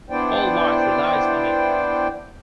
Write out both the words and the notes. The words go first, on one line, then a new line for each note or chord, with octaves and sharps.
All life relies on it.
B3 D4 E4 C5 D5 G5